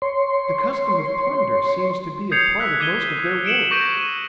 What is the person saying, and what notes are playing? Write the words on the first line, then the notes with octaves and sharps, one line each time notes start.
The custom of plunder seems to be a part of most of their wars.
C#5 C6
D#6 G6 G#6 C7 C#7 F7
E6 F#6 B6
D6 G#6 D#7 G7
C#7 D7 E7 F#7
C#6 D6 G6 A#6 D7 D#7